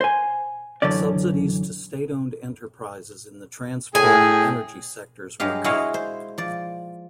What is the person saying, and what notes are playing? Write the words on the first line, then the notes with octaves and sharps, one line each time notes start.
Subsidies to state-owned enterprises in the transport and energy sectors were cut.
C5 G#5
F#2 D3 E3 C#4 D5
A2 G#4 G5 G#5
G2 F#3 G#3 G4 F5
G#3 E4 F#4 C#5 D#5 F5
C5
F3 D5